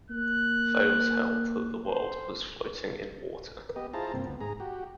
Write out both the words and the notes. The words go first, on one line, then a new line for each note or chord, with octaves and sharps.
Thales held that the world was floating in water.
A#3 F#6
C5
B3 G4 D#5
E4 F4 G#4 C5 A5 A#5
G2 C3 A#3 C4
D2 B3
G#2 G#4 A#5
F#4 G4